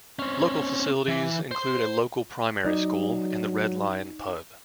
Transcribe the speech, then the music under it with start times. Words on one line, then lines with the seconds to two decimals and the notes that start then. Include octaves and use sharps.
Local facilities include a local primary school and The Red Lion pub.
0.19 C4 C#4
1.08 E3
1.51 C5 C6
2.65 F#3 D#4 D5